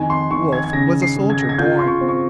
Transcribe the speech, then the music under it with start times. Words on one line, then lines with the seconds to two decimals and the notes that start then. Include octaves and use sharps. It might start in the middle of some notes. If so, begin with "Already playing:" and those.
Wolfe was a soldier born.
Already playing: F2 D#3 G#5
0.10 C6
0.31 D#3 C#6
0.52 G#6
0.64 G#6
0.73 C#3 A#6
1.02 C7
1.16 C#3
1.30 G#6
1.39 A#6
1.49 G#6
1.58 F4 G6
1.79 C6
1.87 C#6
2.01 C4
2.08 C#6